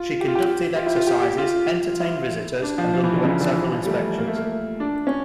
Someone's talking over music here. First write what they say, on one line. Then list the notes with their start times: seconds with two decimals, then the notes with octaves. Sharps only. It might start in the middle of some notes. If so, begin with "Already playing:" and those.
She conducted exercises, entertained visitors, and underwent several inspections.
Already playing: F4
0.21 G4
0.28 F4
0.35 G4
0.76 F4
0.86 E4
0.96 F4
1.07 G4
1.22 G4
1.38 F4
2.00 E4
2.63 D4
2.78 F3
2.93 F3
3.04 E3
3.14 D3
3.24 C#3
3.40 D3
3.56 E3
3.72 F3
3.83 G3
3.87 A3
4.18 A#3
4.27 A3
4.36 A#3
4.80 D4
5.07 C#4